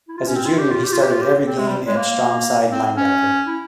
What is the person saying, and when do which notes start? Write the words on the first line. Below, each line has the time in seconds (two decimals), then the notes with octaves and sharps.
As a Junior he started every game at strongside line-backer.
0.08 E4
0.17 F4
0.27 C#4
0.36 C4
0.46 F4
0.58 G4
0.71 F4
0.84 G4
0.92 F4
1.02 G4
1.11 F4
1.21 G4
1.47 C4
1.58 G#3
1.68 G3
1.87 G#3
1.96 A#3
2.72 C4
2.97 C#4
3.47 E4